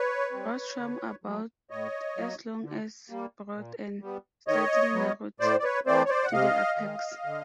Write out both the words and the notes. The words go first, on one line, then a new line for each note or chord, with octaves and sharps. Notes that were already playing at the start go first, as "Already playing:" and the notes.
Rostrum about as long as broad and slightly narrowed to the apex.
Already playing: B4 C#5
G3 C4
D3
F#3 A3
A2 C#5 D#5
F#3 A#3
D3
G3 A#3
A#2
G3 B3
D#3 C#5 D#5
F#3 B3
A2 C5 D5
D5
B4 C#5
E3 A3 C4 C5 D5
C#5
C5 D5
F#5
C3 D#5 F5
D#3 G#3
D3